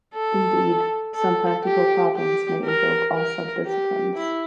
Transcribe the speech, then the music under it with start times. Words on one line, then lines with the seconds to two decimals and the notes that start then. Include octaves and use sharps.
Indeed, some practical problems may invoke all sub-disciplines.
0.14 A4
1.15 A4
1.65 G4
2.15 G4
2.65 A#4
3.15 A#4
3.66 G4
4.16 E4